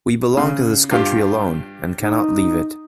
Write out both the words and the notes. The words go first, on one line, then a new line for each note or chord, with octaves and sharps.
We belong to this country alone, and cannot leave it.
C#3
G2 F4 G4
D#4